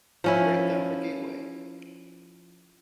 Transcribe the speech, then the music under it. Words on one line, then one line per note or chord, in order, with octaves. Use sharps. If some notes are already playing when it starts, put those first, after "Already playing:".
Break down the gateway!
F3 C#4 E4